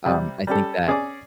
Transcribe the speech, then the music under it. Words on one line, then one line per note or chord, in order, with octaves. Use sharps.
um, I think that
C3 G3
G3 C#4 G4 A4
C#4 G#4 D5 G#5 D6